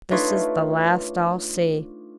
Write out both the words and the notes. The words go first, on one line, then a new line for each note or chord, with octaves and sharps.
This is the last I'll see.
A3 D4 D#4 F4 B4 C#5